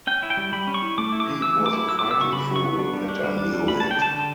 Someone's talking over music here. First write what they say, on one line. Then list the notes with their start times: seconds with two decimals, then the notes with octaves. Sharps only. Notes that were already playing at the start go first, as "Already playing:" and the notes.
Pete was a fighting fool and I knew it.
0.07 C#4 G5
0.23 E4
0.30 G5
0.37 G3
0.52 G3 B5
0.67 C#4
0.74 C#6
0.82 E4
0.98 A3 D6
1.12 E4
1.20 D6
1.27 E3
1.42 E3 E6
1.58 A3
1.66 D6
1.73 E4
1.88 F#3 E6
1.99 B3 D6
2.11 E6
2.18 C#3 C#6
2.33 C#3 B5
2.48 F#3
2.56 C#6
2.64 B3
2.79 D4
2.93 G3
3.09 D4
3.23 G3
3.38 D4
3.53 G3
3.68 A3 B5
3.80 C#4 A5
3.91 G5
3.99 D3 A5
4.14 D3